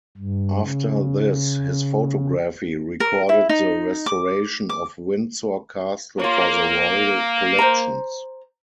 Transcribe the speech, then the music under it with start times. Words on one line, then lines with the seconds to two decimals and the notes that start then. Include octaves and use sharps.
After this, his photography recorded the restoration of Windsor Castle for the Royal Collections.
0.18 G2
0.62 C#3
3.00 A#4
3.29 E4
3.49 D#4
4.06 D6
4.69 D6
6.19 A#3 F4 C#5
7.59 C5 A#5